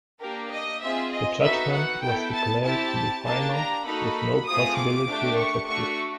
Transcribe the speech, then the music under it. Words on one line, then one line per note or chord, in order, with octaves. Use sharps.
The judgement was declared to be final with no possibility of appeal.
A#3 D4 G4 A#4
D#5
C4 F4 G#4 E5
D#5
B3 D#4 F#4 A4 E5
F#5
B3 E4 A4 G5
A5
C4 E4 G4 A5
A#3 D4 G4 A5
A#5
A#3 D#4 F#4 A4 B5
A3 C4 F4 G#4 D#6
D6
A3 D4 G4
C#6
A3 D4 F#4 C#6